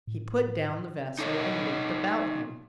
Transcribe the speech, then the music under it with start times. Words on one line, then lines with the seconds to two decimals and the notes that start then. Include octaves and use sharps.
He put down the vessel and looked about him.
0.07 A2
1.19 D#4 A4 C#5 D#5